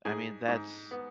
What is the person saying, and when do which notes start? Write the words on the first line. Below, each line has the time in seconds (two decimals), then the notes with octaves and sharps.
I mean, that's,
0.05 G#2 G#4
0.48 G#2
0.91 B3